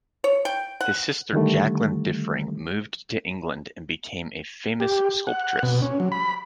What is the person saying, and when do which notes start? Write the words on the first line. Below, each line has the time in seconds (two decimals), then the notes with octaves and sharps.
His sister Jacqueline Diffring moved to England and became a famous sculptress.
0.24 C#5
0.45 G5
0.81 F#5
1.33 D3 D#3 G3 A3
4.80 G4
5.27 F#5
5.63 B2
5.82 C#4
6.00 F#3
6.12 B5